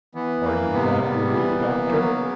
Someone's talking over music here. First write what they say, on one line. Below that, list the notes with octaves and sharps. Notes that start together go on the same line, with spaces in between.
"Are you that worried, Doctor?"
E3 B3
A#3
C3 B3
G3 B3
E3
A#3
F#3
C#3